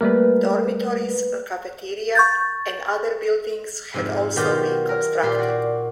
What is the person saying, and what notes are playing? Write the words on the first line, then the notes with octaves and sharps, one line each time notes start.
Dormitories, a cafeteria, and other buildings had also been constructed.
G3 A3 A#3 A#4 B4
C#6 G6 A6
F2 G#2 C3
B2 D#3 F#3 F4 G4
A#4
A#2 F4 G4 C6
F#4 D5